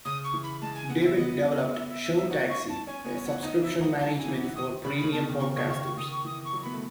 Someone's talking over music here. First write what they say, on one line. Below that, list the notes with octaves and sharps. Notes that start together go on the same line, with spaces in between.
David developed ShowTaxi, a subscription management for premium podcasters.
C#3 D#6
C#6
E3
B5
G#3 A5
G#5
B3 F#5
E5
B3 D#5
E5
E5
E5
E5
D#4
C#4 F#5
C#6
A5
C#4 G#5
B3 G#5
C#4
F#5
D#4 D#5
E4 E5
D#4 F#5
F#3 A5
G#5
E3
F#5
D#3 D#6
C#3 B5
B5
C#3
B2 A5
D#3
C#3 C#6
C#3 C#6
D#3 C#6
C#6
D#3 D#6
C#6
E3 D#6
C#6
F#3
B3 B5
A3